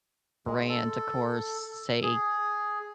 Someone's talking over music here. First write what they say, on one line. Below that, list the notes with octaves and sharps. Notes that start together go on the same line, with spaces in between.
brands, of course, say,
G#3
A4
G#4